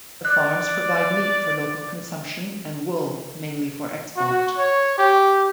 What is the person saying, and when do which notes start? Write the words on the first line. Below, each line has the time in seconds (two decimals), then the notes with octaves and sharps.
The farms provide meat for local consumption and wool mainly for export.
0.25 D5 F#6
4.17 F#4
4.58 C#5
4.98 G4